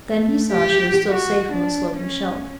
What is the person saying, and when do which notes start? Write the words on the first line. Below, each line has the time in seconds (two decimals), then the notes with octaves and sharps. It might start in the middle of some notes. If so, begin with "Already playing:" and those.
Then he saw she was still safe on the sloping shelf.
0.10 A3
0.52 G4
1.10 F#4
1.52 D4
1.96 C#4